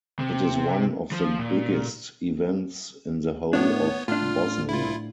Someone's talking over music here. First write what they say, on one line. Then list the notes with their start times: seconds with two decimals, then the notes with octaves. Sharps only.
It is one of the biggest events in the whole of Bosnia.
0.19 C3
1.12 F3
1.38 A#2
3.53 A2 B3 D4 C#5
4.08 A2 D4 F4 F6
4.69 E4 F4